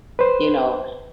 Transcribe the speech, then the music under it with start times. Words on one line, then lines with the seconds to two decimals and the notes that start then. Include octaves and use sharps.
You know,
0.19 B4 C5